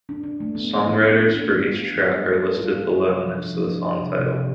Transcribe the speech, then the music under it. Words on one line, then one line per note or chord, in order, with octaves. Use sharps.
Songwriters for each track are listed below next to the song title.
D4
D4
A3
B3
B3
E3
B3
D4
D4
B3
F4
D4
G3
D4
A4
A4
F4
G3
F4
C3
F3
D4
F3
D4
D4
C3
C3
G4